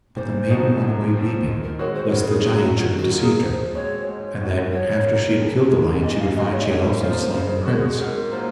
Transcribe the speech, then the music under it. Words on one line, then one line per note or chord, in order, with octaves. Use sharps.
But the maiden went away weeping, lest the giant should have deceived her, and that after she had killed the lion she would find she had also slain the prince.
A#2 C5
F3 C4 D#4 F#4
F#2
F3 C4
D#3
A#4
G#3 C4 F#4 C#5
C5
C#3 A#4
G#4
F#3 C#4 F#4 G#4
F#4
D#3 F4
F#4
F#3 A#3 F4
G#4
F3 C5
G#3 C4 F#4 C#5
G#2
F3 C4 F#4
F3 C#5
A#3 F4
F2
D#3 G#3
A#2 D#5
F5
G#3 D#4 F#4 D#5
C#5
D#5
G#2 C#5
F3 A#3 F4 C5
C#3 C5
A#4
G#3 C#4 F#4
G#4
G#2 A#4
F#3 A#3 F4 C5